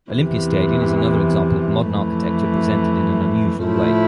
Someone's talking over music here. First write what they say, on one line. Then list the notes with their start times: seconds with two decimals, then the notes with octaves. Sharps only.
Olympiastadion is another example of modern architecture presented in an unusual way.
0.12 E2 C3 E3
1.89 F2 E3 A3
3.66 A2 F3 A3 E4